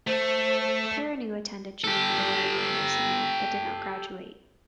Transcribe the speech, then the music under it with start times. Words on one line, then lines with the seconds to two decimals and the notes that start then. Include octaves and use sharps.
Perrineau attended Shenandoah University, but did not graduate.
0.07 A3 C5
1.84 G4 A4